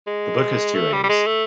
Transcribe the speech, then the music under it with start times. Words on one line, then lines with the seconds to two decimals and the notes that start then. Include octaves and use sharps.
The book has two aims.
0.07 G#3
0.75 A3
0.93 G3
1.04 G3
1.09 G#3
1.27 A3